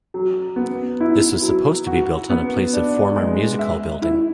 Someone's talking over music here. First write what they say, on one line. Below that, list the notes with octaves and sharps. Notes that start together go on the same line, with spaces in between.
This was supposed to be built on a place of former music-hall building.
F#3
B3
E4
F#3
F#4
B3
D4
G#3
E5
E4